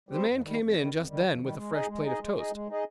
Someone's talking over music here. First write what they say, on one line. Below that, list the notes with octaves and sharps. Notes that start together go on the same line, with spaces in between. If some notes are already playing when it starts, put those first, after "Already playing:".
The man came in just then with a fresh plate of toast.
G3 C4 G4 C5
F2
D#3 G3
F2
D#3 G3
F2
D#3 G3
F2
D#3 G3
G#3
D#4 G#4 D#5
G#3
D#4 G#4 D#5
G#3
D#4 G#4 D#5
G#3
D#4 G#4 D#5